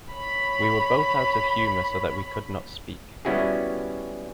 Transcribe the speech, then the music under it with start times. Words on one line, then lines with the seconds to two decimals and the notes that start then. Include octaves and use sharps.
We were both out of humour so that we could not speak.
0.13 C#5 B5
3.25 G3 B3 C#4 E4 F#4 G#4